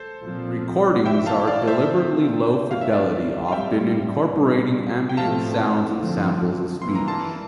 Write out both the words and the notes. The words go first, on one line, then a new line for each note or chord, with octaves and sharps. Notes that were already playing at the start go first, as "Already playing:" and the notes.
Recordings are deliberately low fidelity, often incorporating ambient sounds and samples of speech.
Already playing: A4 C5
A#2 F3 C4
E3 A#3 E5 G5
F5 A5
D5 F5
C5 E5
D3 A3 C4
D3 G3 C4 F5
E5
D5 F5
F5
A2 G3 C4 E5 G5
A#2 G3 C4
G5
A2 F3 A3 C4 F5 A5
D3 F3 C4
E3 A#3 C6
A#5
A5 C6